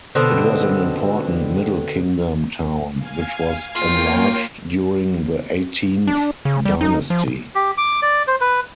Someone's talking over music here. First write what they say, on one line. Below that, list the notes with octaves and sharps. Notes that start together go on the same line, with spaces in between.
It was an important Middle Kingdom town, which was enlarged during the Eighteenth Dynasty.
B2 D3 C4
F5 G#5
A#3 F4 C#5 G5
D4
C#3
G3
D#4
F3
G4
D6
D5
C5
B4